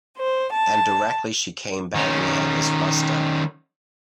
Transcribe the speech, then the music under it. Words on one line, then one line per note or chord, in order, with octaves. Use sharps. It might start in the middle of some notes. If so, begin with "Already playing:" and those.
And directly she came back we had this bust-up.
C5
A5
D#3 C#4